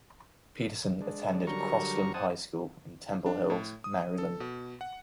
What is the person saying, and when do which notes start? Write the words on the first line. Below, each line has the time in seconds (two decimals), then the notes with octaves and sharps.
Peterson attended Crossland High School in Temple Hills, Maryland.
1.01 G#3 D4
1.47 D3 F#3 G3 A#4 A#5 C#6
2.14 C5 F#5 G#5 A5 D#6
3.26 D4
3.50 A2
3.84 D#6
4.18 A4
4.40 B2
4.81 F#5